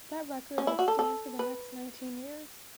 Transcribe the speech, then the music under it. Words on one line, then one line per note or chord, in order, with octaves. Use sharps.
That record would stand for the next nineteen years.
C#4
E4
F#4
A4
A4
B4